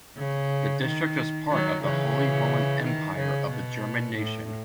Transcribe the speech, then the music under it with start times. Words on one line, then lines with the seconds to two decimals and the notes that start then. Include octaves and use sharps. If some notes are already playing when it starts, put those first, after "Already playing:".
The district was part of the Holy Roman Empire of the German nation.
0.17 C#3
0.83 D#3
1.50 D#3 F#3
1.83 C#3 E3
2.84 D#3
3.17 C#3
3.50 B2
4.16 A2